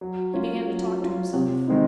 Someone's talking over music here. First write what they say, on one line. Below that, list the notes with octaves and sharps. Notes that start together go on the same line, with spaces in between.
He began to talk to himself.
F#3
C#4 F4
F#3
C#4 F4
C3
D#3 G#3 C4 D#4